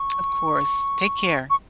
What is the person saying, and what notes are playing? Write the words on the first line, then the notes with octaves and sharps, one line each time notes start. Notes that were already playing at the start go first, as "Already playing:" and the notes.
Of course. Take care.
Already playing: C#6
C#6